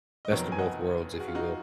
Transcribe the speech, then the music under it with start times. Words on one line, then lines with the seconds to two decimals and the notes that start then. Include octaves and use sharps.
Best of both worlds, if you will.
0.25 D#5
0.31 F1 F2 D#3 F#3 B3 A#4 C#5
0.52 G#5
0.59 D#5 F#5
1.13 G#4
1.20 F#4
1.28 F4
1.35 D#4 F#4